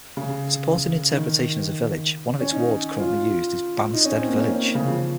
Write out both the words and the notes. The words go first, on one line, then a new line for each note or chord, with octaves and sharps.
Supporting interpretation as a village, one of its wards currently used is "Banstead Village".
C#3
D#3
C#4
D#4
F4
D#4
C#4
C4
A#3
C#4
C#4
C#3
F3